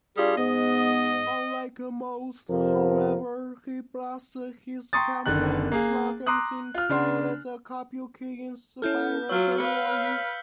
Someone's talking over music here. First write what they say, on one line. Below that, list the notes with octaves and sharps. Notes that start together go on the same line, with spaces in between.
Unlike most, however, he blasts his campaign slogans in a stylized, kabuki-inspired voice.
G3 D4 F4 G#4
G#2 B3 D#5
F2 C3 F3 A#4
G5 A#5 C6 C#6 D#6 A6
F#1 D3 D#3 F#6
A#3 G#4 F5
A#5 C6 D6 D#6 F#6
F4 F6
C#3 D4 C6
C#4 E4 A4 F6 G6
F#3 F4 C#5 E6 F6
B4 F5 C#7
B6